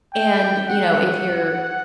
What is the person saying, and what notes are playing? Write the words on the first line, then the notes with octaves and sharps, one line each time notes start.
And, you know, if you're
G5
F#5